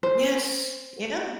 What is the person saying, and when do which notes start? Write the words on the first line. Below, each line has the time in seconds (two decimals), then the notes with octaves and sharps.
Yes, yeah.
0.03 C5